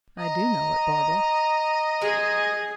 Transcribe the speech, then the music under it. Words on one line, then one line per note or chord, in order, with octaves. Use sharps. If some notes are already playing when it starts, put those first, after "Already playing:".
"I do know it, Barbara."
D#5 A#5
G#3 G#4